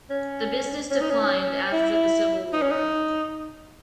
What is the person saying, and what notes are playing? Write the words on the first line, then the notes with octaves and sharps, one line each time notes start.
The business declined after the Civil War.
C#4
C#4
D#4
C#4
E4
D#4
C#4
D#4